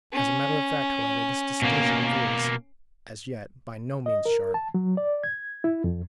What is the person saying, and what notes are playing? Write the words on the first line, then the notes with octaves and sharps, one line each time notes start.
As a matter of fact, however, this distinction is, as yet, by no means sharp.
C#4
B2 A#3
D#5
A#4
A5
F#3
D5
G#6
E4
F2